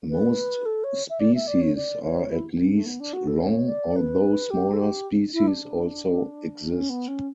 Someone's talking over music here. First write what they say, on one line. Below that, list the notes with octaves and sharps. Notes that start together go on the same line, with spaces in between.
Most species are at least long, although smaller species also exist.
B4
A4
C#5
E5
D5
E5
D5
C#5
D5
C#5
E4
A3
B3
D4
F#4
A4
C#5
D5
B4
G4
A4
G4
E4
D4
C#4
B3
C#4